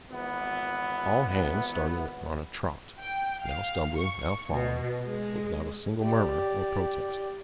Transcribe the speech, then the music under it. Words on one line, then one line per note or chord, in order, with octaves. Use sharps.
All hands started on a trot, now stumbling, now falling, but without a single murmur, or protest.
G#1 E3 B3
G5
F5
C#6
B2
G#3
G4 D5